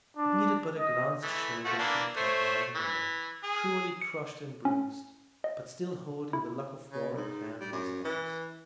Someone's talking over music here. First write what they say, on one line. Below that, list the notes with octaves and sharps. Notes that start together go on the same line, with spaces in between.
It needed but a glance to show them Kentuck lying there, cruelly crushed and bruised, but still holding The Luck of Roaring Camp in his arms.
D4
D#5
E3 A3
F3 A3 F#4
E3 A#3 D4
A3 C5 C#5
E3
G#4
C#7
C#4
D#5
E4
C#3
G#2
G3
F#2
E3